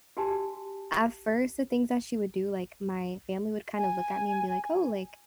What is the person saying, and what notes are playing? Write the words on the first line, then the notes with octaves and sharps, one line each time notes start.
at first, the things that she would do, like my family would kinda look at me and be like, "Oh, like,
F#4 G4 G#5 A5
G#5